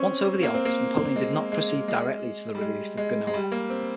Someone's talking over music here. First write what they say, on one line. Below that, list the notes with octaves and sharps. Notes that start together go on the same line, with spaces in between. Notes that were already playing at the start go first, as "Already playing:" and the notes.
Once over the Alps, Napoleon did not proceed directly to the relief of Genoa.
Already playing: C4 C#4
A#3
C4
A#3
G#3
G#3
G#3
G3
G#3
G#3
G#3
G3
A#3
C4